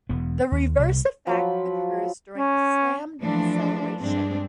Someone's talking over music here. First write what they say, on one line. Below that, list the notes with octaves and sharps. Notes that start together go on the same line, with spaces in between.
The reverse effect occurs during a slam-deceleration.
E1 E2 B3
D#2
C2 C3
F3 F#3 B5
C#4
E3 F3 A3 D4
G2 G#3 C4 D4